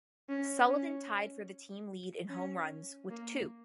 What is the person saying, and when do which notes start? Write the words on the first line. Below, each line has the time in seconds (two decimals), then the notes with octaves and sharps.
Sullivan tied for the team lead in home runs with two.
0.29 C#4
0.69 C#4
2.29 C#4
3.11 A#3